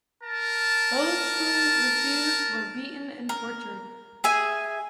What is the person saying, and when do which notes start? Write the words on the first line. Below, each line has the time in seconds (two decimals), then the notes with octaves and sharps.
Those who refused were beaten and tortured.
0.24 A#4 A5
3.29 A#4
4.24 G#4 E5 G#5